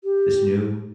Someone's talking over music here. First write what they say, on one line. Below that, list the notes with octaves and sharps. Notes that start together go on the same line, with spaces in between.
this new
G4